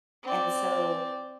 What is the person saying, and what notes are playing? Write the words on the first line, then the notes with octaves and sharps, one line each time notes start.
and so
C4 D5